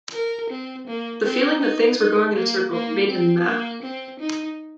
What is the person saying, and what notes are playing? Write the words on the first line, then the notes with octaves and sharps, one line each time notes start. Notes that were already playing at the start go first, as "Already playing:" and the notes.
The feeling that things were going in a circle made him mad.
A#4
C4
A#3
C4
D#4
D#4
A#3
A#3
C4
A#3
C4
D#4